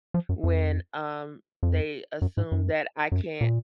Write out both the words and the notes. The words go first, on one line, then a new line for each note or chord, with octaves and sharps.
When, um, they assume that I can't
F3
F#2
F2
F2
F#2
G#2
F#2
F#2
A#2